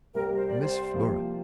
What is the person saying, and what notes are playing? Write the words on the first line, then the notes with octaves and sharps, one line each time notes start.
Miss Flora!
C2 C3 G3 A#4
C5
D5
C5
C3 F3 A#3 F4